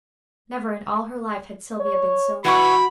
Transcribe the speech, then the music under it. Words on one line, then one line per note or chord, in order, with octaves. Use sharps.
Never in all her life had Sylvia been so wretched.
C#5
E3 E4 F#4 F#5 B5 C#6